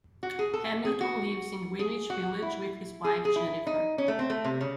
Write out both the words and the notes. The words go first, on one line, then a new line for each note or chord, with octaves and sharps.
Hamilton lives in Greenwich Village with his wife Jennifer.
F#4
G#4
A4
G#4
F#4
G#4
F#4
E4
G#4
G#4
E4
D#4
C#4
A3
C4
A3
C3
C#3